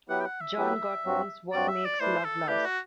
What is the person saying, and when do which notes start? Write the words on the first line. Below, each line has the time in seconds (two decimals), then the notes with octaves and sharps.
John Gottman's What Makes Love Last?
0.09 F#3 B3 E4 G4 B4 F#5
0.20 G5
0.25 F#5
0.41 E5
0.57 F#3 B3 E4 G4 B4
1.04 G2 F#3 C4 F#4
1.52 G2 F#3 C4 F#4 D5
1.68 E5
1.85 D5
2.00 A3 E4 B4 C5 D5
2.25 A4
2.48 A3 E4 G4 B4 D5
2.65 F#4